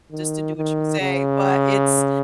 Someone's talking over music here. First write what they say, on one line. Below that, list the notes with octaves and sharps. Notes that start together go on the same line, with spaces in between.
just to do what you say, but, it's
D#3
D#3
C#3